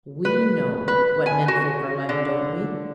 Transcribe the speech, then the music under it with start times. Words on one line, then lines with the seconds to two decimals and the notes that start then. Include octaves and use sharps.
We know what men-folk are like, don't we?
0.25 B4
0.88 B4
1.26 G#5
1.48 F#4
2.09 D3